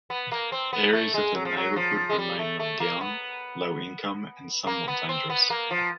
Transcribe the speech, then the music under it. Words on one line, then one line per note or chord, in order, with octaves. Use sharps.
Areas of the neighborhood remained run-down, low-income, and somewhat dangerous.
B3
A#3
C4
B3
A3
G#3
F#3
F3
F#3
F3
G#3
G3
A3
A3
A#3
B3
A#3
B3
C4
B3
A#3
F3